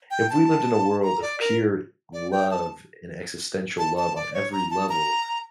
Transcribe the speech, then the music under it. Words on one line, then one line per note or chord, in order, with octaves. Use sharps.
if we lived in a world of pure love and existential love on every level
G5
A5
A#5
D5
A#4
D5
G5
A5
A5
A5
D5
C#5
A#5
A5
A#5